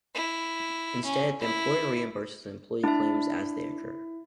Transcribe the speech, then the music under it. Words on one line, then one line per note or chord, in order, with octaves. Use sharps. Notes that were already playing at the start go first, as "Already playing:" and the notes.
Instead, the employer reimburses employee claims as they occur.
E4
C#4
E4
D4 E4 E5